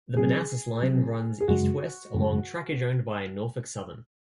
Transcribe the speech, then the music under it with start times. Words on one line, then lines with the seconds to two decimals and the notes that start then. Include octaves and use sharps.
The Manassas Line runs east-west along trackage owned by Norfolk Southern.
0.16 C3 F#3 C4 G#4
0.82 C3 F#3 C4
1.40 G#4
1.48 F#2 C#3 G#3 F#4
2.15 F#2 C#3 G#3